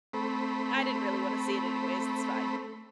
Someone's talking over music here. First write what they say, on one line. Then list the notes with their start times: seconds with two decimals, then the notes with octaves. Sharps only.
I didn't really wanna see it anyways, it's fine."
0.13 A3 C4 B5